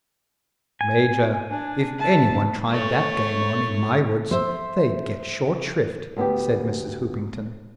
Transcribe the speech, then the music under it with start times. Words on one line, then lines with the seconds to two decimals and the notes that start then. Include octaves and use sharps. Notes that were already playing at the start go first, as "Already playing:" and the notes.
"Major, if any one tried that game on in my woods they'd get short shrift," said Mrs. Hoopington.
0.81 G#5
1.51 D4
1.98 E5 A5
2.71 A3 C#5
4.31 C5 E5
6.16 D2 B3 G4